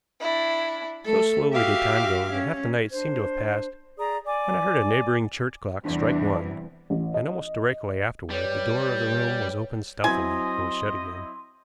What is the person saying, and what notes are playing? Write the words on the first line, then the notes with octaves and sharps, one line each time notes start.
So slowly did time go that half the night seemed to have passed when I heard a neighboring church clock strike one, and almost directly afterward the door of the room was opened stealthily and was shut again.
D4 E4
A3 A4
F#4 G4 E5 F5 D6
C#4
D4 C5
G#4 D5 A#5 D#6
D5 G#5 D6
E2 C3 G3 D4
A1
D#5
G3 B4 C#5
F#3 C4 E4 D#5 G#5 C6